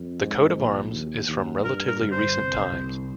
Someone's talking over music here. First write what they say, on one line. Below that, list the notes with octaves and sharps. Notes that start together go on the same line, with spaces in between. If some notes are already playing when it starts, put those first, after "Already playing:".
The coat-of-arms is from relatively recent times.
Already playing: F2
G#2
A#1
D#2
D#2
G2 A#4
A#4
G1
C5
C2
C2